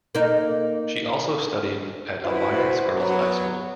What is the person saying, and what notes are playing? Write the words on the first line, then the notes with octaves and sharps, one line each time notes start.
She also studied at Alliance Girls High School.
A#3 D#4
D2 E4 F#4 B4 C5
F#3 B3